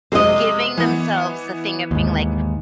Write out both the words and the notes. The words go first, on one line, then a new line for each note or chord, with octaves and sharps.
giving themselves the thing of being like,
C3 G#3 C5 D#5
E3 B3
D#2 G#2